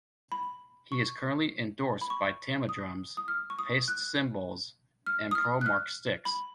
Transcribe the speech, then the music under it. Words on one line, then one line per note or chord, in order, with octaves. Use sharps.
He is currently endorsed by Tama drums, Paiste cymbals and Pro-Mark sticks.
B5
C#6
B5
C#6
D#6
D#6
F6
C#6
D#6
F#6
F6
D#6
F6
F#6
F6
B5